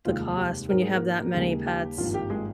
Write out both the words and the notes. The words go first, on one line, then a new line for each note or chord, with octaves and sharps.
the cost when you have that many pets.
F1 D#2 D#3 G#3 F4
G4
G#2 G3 C4 A#4
G#4
A#3 A#4
D#2 C#3 G3 G#3 A#3 G#4
G4
G#1 G2 F3 A#3 F4
G4
G#3 G#4